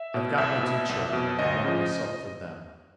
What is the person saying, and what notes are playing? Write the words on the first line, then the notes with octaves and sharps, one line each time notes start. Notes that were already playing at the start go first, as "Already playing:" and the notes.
I've got my two children and I want myself for them.
Already playing: E5
B2
C2 E5
B2
C2
B2
D2 D#5
C#3 F3